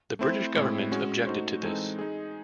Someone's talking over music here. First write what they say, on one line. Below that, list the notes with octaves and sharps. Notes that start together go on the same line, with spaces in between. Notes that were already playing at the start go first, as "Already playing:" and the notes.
The British Government objected to this.
A3 C4 E4 C5
A2 G#3 C4 E4
G#3 C#4 F#4 C#5
A3 D#4 F#4 C5
E3 G#3 C4 D#4 A4
G#3 D#4 G#4